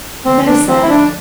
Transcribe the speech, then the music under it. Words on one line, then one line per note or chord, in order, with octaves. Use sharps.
"No, sir."
D3 F3 A3 C4
D4
C4
E4
D4